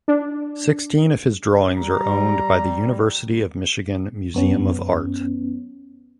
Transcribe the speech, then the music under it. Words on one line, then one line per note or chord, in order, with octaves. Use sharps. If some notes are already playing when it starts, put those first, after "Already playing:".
Sixteen of his drawings are owned by the University of Michigan Museum of Art.
D4
G3 A#5
F#2 B3 C#4